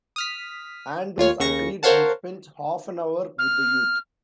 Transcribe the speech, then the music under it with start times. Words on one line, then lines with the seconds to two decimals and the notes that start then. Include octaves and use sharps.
Andrews agreed and spent half an hour with the youth.
0.16 D#6 F6 B6
1.18 D#2 F4 C#5 F6
1.40 D#2 C#3 C#6 A#6
1.83 A#4 C5 C#5 F5 F#5 A5
3.39 F6